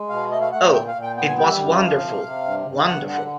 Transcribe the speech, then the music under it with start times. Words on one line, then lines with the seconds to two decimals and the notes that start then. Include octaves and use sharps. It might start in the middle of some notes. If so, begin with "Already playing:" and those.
Oh, it was wonderful — wonderful.
Already playing: G#3
0.09 B2 F5
0.31 A3 D#5
0.41 F5
0.52 A3 F#5
0.63 G5
0.74 A#2 G5
0.88 F5
0.95 A#2
1.02 G5
1.17 B3 G5
1.27 G#5
1.38 G3 G5
1.49 E5
1.59 F#2
1.80 F3 F5
2.02 C3
2.23 C3
2.45 G2
2.66 G2
2.87 G2 F#5
3.09 D3 F#5